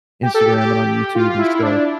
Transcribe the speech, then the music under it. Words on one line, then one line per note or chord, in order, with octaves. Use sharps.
Instagram and on YouTube and stuff.
G4
A4
G4
G4
F4
F4
E4
E4
D4